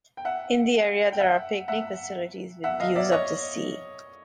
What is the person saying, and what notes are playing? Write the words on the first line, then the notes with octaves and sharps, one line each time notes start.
In the area, there are picnic facilities with views of the sea.
G5
E5 F#5
G5
E5 F#5
E5 F#5
E5 F#5
D#5 F5
D5 E5
C#5 D#5